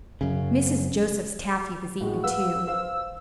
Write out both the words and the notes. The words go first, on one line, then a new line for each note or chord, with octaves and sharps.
Mrs. Joseph's taffy was eaten too.
F#2 C#3
A2 G#3 F#4
B4 F5 F#5 E6
C5 F5 E6